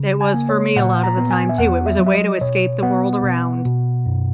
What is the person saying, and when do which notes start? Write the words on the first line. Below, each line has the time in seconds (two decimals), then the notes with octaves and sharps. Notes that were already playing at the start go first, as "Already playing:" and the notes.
It was for me a lotta the time too, it was a way to escape the world around.
Already playing: C#3
0.21 G#5
0.34 A#3
0.49 C#5
0.76 A#2 F#5
1.03 A#5
1.17 B3
1.31 G#5
1.49 E5
1.58 E2 F#5
1.86 E5
1.99 F#3
2.07 E5
2.14 D#5
2.41 B2 C#5
2.83 B3 F#5
3.23 B2
3.65 B2
4.06 F#2